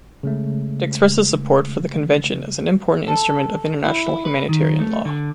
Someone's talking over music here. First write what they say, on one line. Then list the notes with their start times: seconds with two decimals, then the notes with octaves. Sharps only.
It expresses support for the Convention as an important instrument of international humanitarian law.
0.23 C#3 G#3 A3
3.08 A4
3.85 E4
4.25 B4
4.49 D#3
4.80 A3
5.05 D3